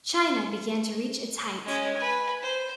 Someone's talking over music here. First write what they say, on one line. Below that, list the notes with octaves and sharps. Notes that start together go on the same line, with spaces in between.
China began to reach its height.
G#3 C#4
B4 G#5
C5